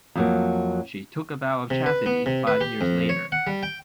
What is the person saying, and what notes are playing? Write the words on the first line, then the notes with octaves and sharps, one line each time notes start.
She took a vow of chastity five years later.
F2 F#3 A#3
C3
B4
B3
C3
B4
G4
F2
C#5
F#5
G3
G5